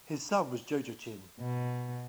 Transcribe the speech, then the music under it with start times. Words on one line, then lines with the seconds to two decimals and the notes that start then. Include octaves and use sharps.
His son was Jojachin.
1.40 B2